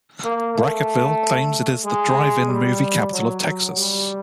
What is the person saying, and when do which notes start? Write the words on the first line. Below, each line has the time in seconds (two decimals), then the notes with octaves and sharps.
Brackettville claims it is the drive-in movie capital of Texas.
0.24 A#3
0.56 A3
1.84 G#3
2.48 G3
3.12 F#3
3.76 G3